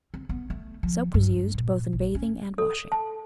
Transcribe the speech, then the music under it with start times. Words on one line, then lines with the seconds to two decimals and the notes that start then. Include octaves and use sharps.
Soap was used both in bathing and washing.
0.14 C4
0.29 B3
0.50 A3
0.83 F3
1.14 G2
1.54 A#2
1.93 A#1
2.15 C#4
2.58 A4
2.92 A5